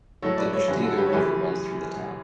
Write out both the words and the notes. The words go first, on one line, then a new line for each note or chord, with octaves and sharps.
The Peshtigo River runs through the town.
A2 F#3 A3 A4 C#5
B4 D5
A4 C#5
F#2 D3 F#3 G4 B4
F#4 A4
G4 B4
C#5
F#2 C#3 E3 A3 G4 B4